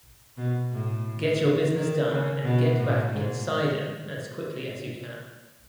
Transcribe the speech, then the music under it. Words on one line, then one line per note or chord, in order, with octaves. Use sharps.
Get your business done and get back insider as quickly as you can.
B2
A2
D#3
C#3
B2
A2
G#2